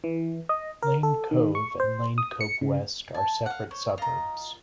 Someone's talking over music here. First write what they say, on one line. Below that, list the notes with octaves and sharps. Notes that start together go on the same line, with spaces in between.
Lane Cove and Lane Cove West are separate suburbs.
E3
D#5
A#4
A4
D#3
C#6
C5
D#6
C#7
C#3
G#5 A5
F5 F#5
C5 C#5
F4 D#5 A#5